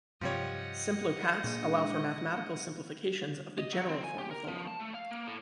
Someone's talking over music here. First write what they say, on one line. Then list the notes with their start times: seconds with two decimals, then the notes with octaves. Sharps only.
Simpler paths allow for mathematical simplifications of the general form of the law.
0.21 G2 C3 F3 G3 C#5 D#5 F#5
1.44 A#2 G#3 A#3 D4 G#4
3.58 D#5
3.73 F#3
3.88 C4
4.04 G#5
4.18 G4
4.31 A#4
4.48 F3
4.67 A5
4.80 A3
4.94 F5
5.11 A#3
5.27 A2